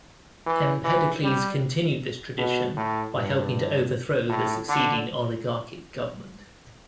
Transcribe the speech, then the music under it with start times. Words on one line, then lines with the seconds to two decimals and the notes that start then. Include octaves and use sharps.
Empedocles continued this tradition by helping to overthrow the succeeding oligarchic government.
0.46 E3
0.84 E3
1.23 G3
2.38 B2
2.76 A2
3.14 G2
4.29 A2
4.68 D3